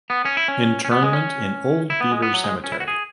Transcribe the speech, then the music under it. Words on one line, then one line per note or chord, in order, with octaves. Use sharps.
Interment in Old Beaver Cemetery.
B3
C#4
E4
C#4
C#4
B3
G#3
C#4
E4
B3
G#3
B3
F#3
G#3
C#4
E4
F#4
G#4